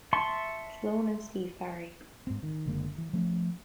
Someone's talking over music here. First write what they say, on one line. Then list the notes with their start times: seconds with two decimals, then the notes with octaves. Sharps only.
Sloan and Steve Barri.
0.13 E5 A5 C6 C#6
2.27 G#2 C4
2.43 D#3
2.66 F#1 D3 G#3 A#3
2.98 E3
3.13 F3 A3 C#4